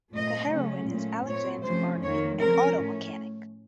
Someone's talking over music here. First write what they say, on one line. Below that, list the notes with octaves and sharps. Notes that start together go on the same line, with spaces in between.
The heroine is Alexandra Barnaby, an auto mechanic.
A#2 A3 C4 D#5
C#3 F#3 A3 C#4
A#2 A3 C#4
A#2 A3 C4 C#5
C3 F3 A3 C#4 C5
F2 D#3 A#3 C#5
C#3 F3 A3 C4 A#4
A2 A3 C#4